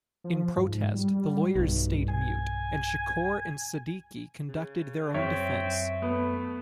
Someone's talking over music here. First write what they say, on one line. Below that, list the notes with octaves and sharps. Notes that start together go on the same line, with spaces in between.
In protest, the lawyers stayed mute, and Shakur and Sadiki conducted their own defense.
F3
G#2
G3
B1 G2
G#5
C#3
F#2 C4 C#5 E5
A3 B3